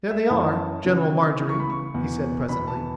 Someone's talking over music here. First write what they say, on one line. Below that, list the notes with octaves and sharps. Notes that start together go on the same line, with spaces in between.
"There they are--General Marjorie," he said presently.
E5
F#2 E3 B3 A5
C#3 E3 B3
C#3 E3 B3
C#6
B5
C#6
E2 B2 B3
E2 B2 B3 B5
A5